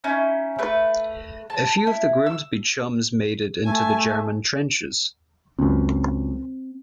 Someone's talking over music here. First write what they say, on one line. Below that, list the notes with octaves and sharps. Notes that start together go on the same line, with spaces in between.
A few of the Grimsby Chums made it into the German trenches.
C#4 D#4 E4
A3 B4
A5
E4
E6
A3 G#5 A5
C#2 F#2 C4